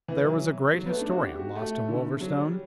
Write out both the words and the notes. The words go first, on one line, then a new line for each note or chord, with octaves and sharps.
There was a great historian lost in Wolverstone.
E3
F#3
F#3
B3
A3
D4
F#4
G4
F#4
A3
D3
F#3
G3